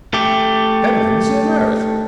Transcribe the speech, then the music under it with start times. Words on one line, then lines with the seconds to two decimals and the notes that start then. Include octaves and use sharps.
Heavens and earth!
0.13 A3 G4